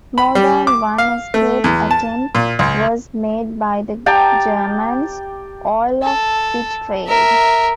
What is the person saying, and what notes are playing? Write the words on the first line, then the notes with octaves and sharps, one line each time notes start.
More than one escape attempt was made by the Germans, all of which failed.
B5
G3
D6
F5
A3
E2
A5
A#2
C#2
G4 G5 A5 A#5
A4
A#4 E5